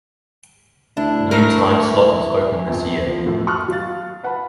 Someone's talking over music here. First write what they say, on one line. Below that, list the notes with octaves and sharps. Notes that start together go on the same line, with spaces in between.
New time slot was opened this year.
D2 D4 E4
F#3 A3 A#4
E3
A#1 F2
F3
F#2 A2 F3
F#4 A5 C#6 D#6 F6 F#6
F#3 F5 A6
B4 F#5 A5 B5